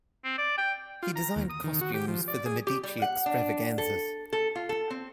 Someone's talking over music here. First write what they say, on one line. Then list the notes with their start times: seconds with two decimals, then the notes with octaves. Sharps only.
He designed costumes for the Medici extravaganzas.
0.25 C4
0.38 D5
0.58 G5
1.03 F4
1.16 A#5
1.36 D#2
1.50 D#6
1.64 D#3
1.81 F#4
1.94 G4
2.08 F3
2.28 D5
2.46 G#4
2.67 G4
2.83 G3
3.02 F#5
3.26 D4
3.78 A4
4.33 A4
4.55 F4
4.69 A4
4.90 C4